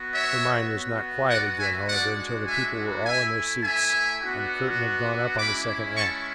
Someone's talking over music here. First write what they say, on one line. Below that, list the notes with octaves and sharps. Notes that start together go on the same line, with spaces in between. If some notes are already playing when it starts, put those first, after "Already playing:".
Her mind was not quiet again, however, until the people were all in their seats and the curtain had gone up on the second act.
Already playing: B3 F#4
C#5 E5
B3 F#4
D5 F#5
E5 G#5
G#3 D4 F#4 D5 F#5
E5 G#5
A3 E4 E5 G#5
E5 G#5
B3 D4 F#4
G#3 C#4 E4 B5 D6
A5 C#6